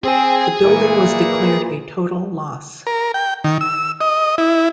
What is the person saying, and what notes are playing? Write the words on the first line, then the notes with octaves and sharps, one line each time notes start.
The building was declared a total loss.
C4 G#4 G#5
A#2 E3
A#4
G5
D#3
E6
D#5
E4